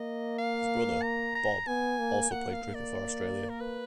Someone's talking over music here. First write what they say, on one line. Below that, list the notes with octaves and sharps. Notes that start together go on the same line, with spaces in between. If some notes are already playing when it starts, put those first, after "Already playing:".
His brother, Bob, also played cricket for Australia.
Already playing: A#3 D#5
F5
A#5
A#5
B3 G#5
A#3
A#3 F#5
F5
A#3
D5
A#4
B4